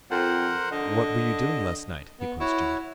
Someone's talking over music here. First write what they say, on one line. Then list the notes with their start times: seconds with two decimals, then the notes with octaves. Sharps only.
"What were you doing last night?" he questioned.
0.11 F2 A#4 C5 F#5
0.72 D3 D#5
2.20 B3
2.40 E4 F#4 C#5